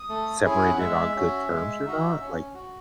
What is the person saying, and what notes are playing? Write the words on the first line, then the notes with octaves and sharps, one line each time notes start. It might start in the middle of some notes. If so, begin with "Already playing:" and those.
separated on good terms or not? Like
Already playing: D#6
A3
C#4 E4 G#4
G#5
F#5
G#3 E5
C#4 F#4
G#3
D#4 F#4
C#4
F#4